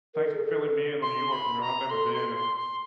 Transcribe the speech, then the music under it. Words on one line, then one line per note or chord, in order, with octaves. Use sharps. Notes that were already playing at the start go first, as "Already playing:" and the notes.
thanks for filling me in on New York. You know, I've never been, and
A#4
A4
G#4
A4
C6
B5
A#5
A4 C6
C6
C6
C6